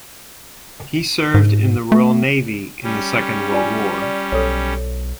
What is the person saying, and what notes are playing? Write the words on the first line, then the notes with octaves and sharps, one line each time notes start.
He served in the Royal Navy in the Second World War.
G#2
A3
G3 C#4
F4 D5 G#5
D5
B1 A4 C#5